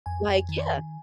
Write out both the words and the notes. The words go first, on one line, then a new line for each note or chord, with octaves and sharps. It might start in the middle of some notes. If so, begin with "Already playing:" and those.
like yeah.
F2 G#5
F2
D#3